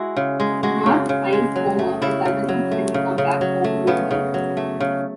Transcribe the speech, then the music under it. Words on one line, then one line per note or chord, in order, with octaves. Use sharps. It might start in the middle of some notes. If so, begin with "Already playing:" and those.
Marge finds Homer and convinces him to come back home with her.
Already playing: G#3 E4 F#4
C#3
G#3
G#3 F#4
C#3
C#3
G#3
F#3
A3
C#3 E4
C#3
F#3
A3
C#3
C#3
F#3
A3
C#3 B3
C#3
F#3
A3
C#3